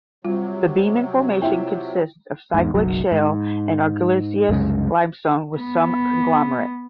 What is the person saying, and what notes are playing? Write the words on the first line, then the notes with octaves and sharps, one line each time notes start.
The Beeman Formation consists of cyclic shale and argillaceous limestone with some conglomerate.
C3 F#3 G3 F4
E4 F4 E5 G5
E2 G#2
F#1 B1 F#3
G#2
C2 F#2 C#3 G#3
B3